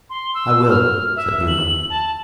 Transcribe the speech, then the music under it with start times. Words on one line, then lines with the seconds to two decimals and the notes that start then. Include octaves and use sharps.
'I will,' said Newman.
0.10 C6
0.35 E6
0.69 F6
1.16 E5
1.48 F#7
1.90 A5